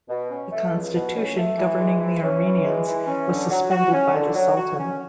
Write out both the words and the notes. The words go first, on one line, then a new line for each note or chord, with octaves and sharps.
The constitution governing the Armenians was suspended by the Sultan.
B2
C#4
A3
C#2
B2
C#4
A3
E3
G#3
E3
C#4
E3
G#3
E3
C#4
D3
F#3
F#4
C#4
D3
F#3
F#4
C#4